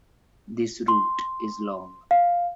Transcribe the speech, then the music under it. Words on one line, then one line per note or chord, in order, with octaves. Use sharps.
This route is long.
C6
F5